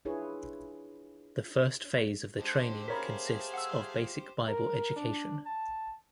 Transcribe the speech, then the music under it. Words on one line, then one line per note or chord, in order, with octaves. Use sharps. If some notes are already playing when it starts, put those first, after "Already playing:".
The first phase of the training consists of basic Bible education.
D4 E4 F4 G#4 B4 C#5
D3 G#3 G4 C5
A3 G#4 A#4 C#5 F5 B5 B6
F#5 E6
A#4
D4
A5